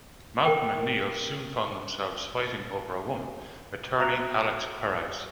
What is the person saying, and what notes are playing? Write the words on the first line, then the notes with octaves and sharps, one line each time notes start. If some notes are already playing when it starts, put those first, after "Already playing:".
Malcolm and Neil soon found themselves fighting over a woman, attorney Alex Perez.
A#4 G5
F#4 E5 A#5 F#6 A#6 F7